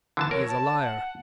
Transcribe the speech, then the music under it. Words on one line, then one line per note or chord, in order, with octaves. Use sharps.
He is a liar.
D3 E3 A5
A#4 C#5
A5
F#5